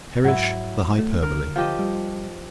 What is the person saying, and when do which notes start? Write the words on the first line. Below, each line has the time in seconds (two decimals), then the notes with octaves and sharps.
Perish the hyperbole!
0.24 G#2 F#3 E4
0.99 A3
1.23 D3 A#4
1.56 F3 G4 D#5
1.79 G3